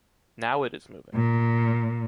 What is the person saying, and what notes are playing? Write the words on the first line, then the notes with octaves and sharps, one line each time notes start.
Now it is moving.
A#2